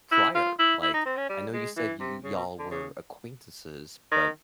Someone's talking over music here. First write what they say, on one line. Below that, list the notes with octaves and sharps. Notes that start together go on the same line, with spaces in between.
prior? Like, I know you said y you y'all were acquaintances, but,
E4
F4
E4
E4
D#4
C4
C#4
G3
G#3
E3
C3
C#3
B2
D3
C#3
D#3